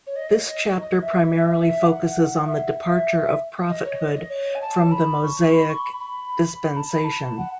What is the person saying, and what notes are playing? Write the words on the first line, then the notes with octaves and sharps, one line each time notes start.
This chapter primarily focuses on the departure of prophethood from the Mosaic dispensation.
C#5
D#5
D#5
D#5
D#5
E5
F#5
E5
D#5
C#5
D#5
D#5
C#5
G#5
A5
B5
C#6
B5
C#6
B5
B5
A5
B5
A5
F#5